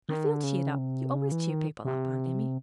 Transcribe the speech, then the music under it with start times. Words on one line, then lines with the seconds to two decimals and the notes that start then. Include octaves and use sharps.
I feel cheered up--you always cheer people up, Aunt Emmy.
0.09 D#3
0.26 D3
0.44 C#3
0.78 C3
1.14 C#3
1.32 E3
1.49 D#3
1.85 C3